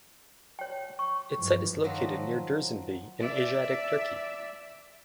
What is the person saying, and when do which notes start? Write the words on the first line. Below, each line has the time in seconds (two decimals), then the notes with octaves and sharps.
Its site is located near Dursunbey in Asiatic Turkey.
0.59 C#5 G5
0.99 C#6
1.38 G2 E3 F3
1.84 D#3 F3 F#3
3.20 D5 E5